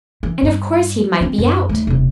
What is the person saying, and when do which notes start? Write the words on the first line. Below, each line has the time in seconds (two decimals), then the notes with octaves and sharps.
And of course, he might be out.
0.23 E3
0.42 G2
1.21 C4 D4
1.38 F#2
1.69 D#2 A3
1.87 E1 C2